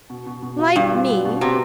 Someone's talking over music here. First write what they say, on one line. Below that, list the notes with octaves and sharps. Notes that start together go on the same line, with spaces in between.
Like me!
B2
B2
B2
F4
G2 F4
F4
B3
B2
C3 B3